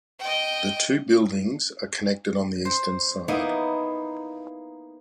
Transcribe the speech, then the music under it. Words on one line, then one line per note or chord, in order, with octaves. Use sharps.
The two buildings are connected on the eastern side.
D#5 G5
C5
A#3 B3 D#4 E4